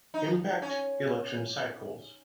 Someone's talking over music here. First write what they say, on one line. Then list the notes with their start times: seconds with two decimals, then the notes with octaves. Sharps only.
Impact elections cycles.
0.14 D#4
0.62 C#4